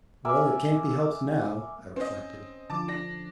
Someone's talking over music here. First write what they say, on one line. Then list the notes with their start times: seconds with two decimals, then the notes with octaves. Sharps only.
"Well, it can't be helped now," I reflected.
0.25 A#4 D5 E5 G#5
1.96 C4 C#4 D#5
2.70 D3 F3 A5 D6
2.88 D4 A#6